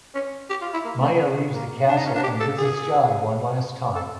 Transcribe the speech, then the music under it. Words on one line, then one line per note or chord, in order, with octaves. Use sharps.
Maya leaves the castle and visits Jai one last time.
C#4
G4
F4
E4
A#3
A3
B3
A#3
D4
D#4
C#4
D4
G4
A4
G#4
A4